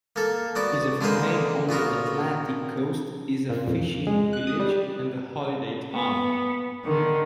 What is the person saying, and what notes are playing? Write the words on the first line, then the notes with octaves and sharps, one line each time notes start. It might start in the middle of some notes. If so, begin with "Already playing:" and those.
Yzerfontein on the Atlantic coast is a fishing village and holiday town.
A#3 A4
B3 F#4 D5
D3 G#3 A#3 B4 C5
A#2 B3 F#4 A#4
A#2
F2
G#3
F#6
D#6
G3
B3
D3 D#3